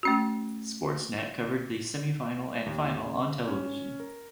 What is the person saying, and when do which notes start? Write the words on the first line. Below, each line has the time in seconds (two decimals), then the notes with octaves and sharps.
Sportsnet covered the semifinal and final on television.
0.03 A3 C#4 F#4
2.66 D#2
3.06 C#3
3.48 C#4
4.00 A#4